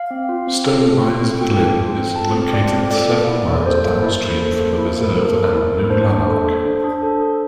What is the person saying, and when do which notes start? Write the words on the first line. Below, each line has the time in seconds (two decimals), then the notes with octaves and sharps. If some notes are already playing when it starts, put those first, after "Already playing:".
Stonebyres Linn is located several miles downstream from the reserve and New Lanark.
Already playing: F5
0.11 C4
0.29 F4
0.47 C4
0.67 A4
0.85 C4
1.04 F4
1.22 C4
1.41 A4 G5
1.60 C4
1.78 F4
1.98 C4
2.16 A4 A5
2.35 C4
2.54 F4 D5
2.73 C4
2.91 A4 D5
3.10 A#3
3.28 E4
3.47 A#3
3.66 A4 C5
3.85 A#3
4.03 E4
4.22 A#3
4.41 A4
4.59 A#3
4.78 E4
4.97 A#3
5.15 A4 A#4
5.34 A#3
5.53 E4
5.72 A#3
5.90 D4 C5
6.09 D4
6.28 A4
6.46 A4
6.66 D4
6.84 D4
7.03 A4
7.22 A4